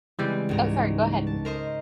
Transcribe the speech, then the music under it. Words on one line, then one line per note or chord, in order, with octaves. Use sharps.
Oh, sorry, go ahead.
C#3 E3 G3 G#3 C4
C#2 G#2 A#5
A5
A#4 C5 D#5